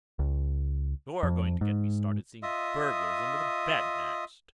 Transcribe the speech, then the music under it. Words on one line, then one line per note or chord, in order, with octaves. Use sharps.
"You're going to get me started seeing burglars under the bed, next...."
C#2
F2
G#2
F4 D#5 E5 D#6